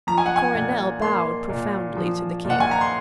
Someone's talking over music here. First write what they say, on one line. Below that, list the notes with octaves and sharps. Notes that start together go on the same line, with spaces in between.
Coronel bowed profoundly to the King.
F3 A#5
G#5
F#5
G#5
A#2
A#3 C6
A#2
F3
A#2
F#5
G#5
A#5
C6